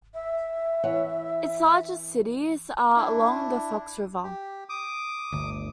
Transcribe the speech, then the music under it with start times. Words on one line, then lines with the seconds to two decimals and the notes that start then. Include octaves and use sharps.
Its largest cities are along the Fox River.
0.14 E5
0.84 E3 C#5 F#5
2.96 D4 E4
4.24 G4
4.69 D6 D#6
5.32 G1 D2